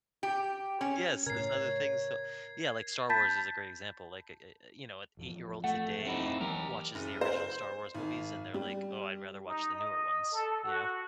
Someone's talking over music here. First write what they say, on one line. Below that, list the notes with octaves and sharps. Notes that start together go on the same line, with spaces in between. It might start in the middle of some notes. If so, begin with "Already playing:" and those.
Yes, there's other things, so Yeah, like, Star Wars is a great example, like, eh eh eh, you know, an eight-year-old today watches the original Star Wars movies, and they're like, "Oh, I'd rather watch the newer ones," you know?
G4
C#4
A2 C#3 A#4 C#5 G#6 C7
A5 B5 G6 A6 B6
A1 F2 F3
A3 F#5
C4 D#4 E4
E3 F#3 A#3 G4 A#4
F#1
C5
G#1
G3
D#4
D#5
A4
F#4